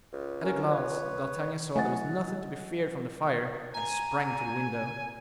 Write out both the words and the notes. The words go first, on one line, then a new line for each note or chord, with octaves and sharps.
At a glance D'Artagnan saw there was nothing to be feared from the fire, and sprang to the window.
C#2
C#4 A#4
B4 C#5
E3 F#3 A3 D#5 F#5 G#5 A6
G#5 A#5